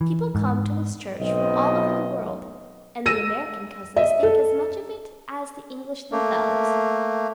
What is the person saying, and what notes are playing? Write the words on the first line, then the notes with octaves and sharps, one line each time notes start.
People come to this church from all over the world, and the American cousins think as much of it as the English themselves.
E3
G#2
B1 B3 C4 D#5
E6 A#6 D#7
D#5 E5
A4
A3 A#3